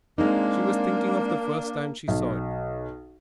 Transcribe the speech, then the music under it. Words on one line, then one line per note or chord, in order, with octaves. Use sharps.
She was thinking of the first time she saw it.
G#3 A#3 C4 D4 D#4
B1